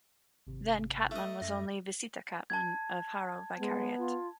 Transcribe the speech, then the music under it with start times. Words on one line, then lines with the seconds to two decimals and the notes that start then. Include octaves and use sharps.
Then Catmon was only a "Visita Catmon" of Jaro vicariate.
0.47 G#1 C3
1.11 A3 D#5
1.42 F#2 E5 A#6
2.50 A5 G#6
3.59 G#3 B3
3.98 F4